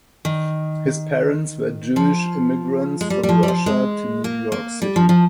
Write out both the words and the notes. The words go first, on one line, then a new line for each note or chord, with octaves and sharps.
His parents were Jewish emigrants from Russia to New York City.
D#3
F3
G#3
G3
G3
F3
G3
F3
G#3
A#3
A#3
G3
F3
F3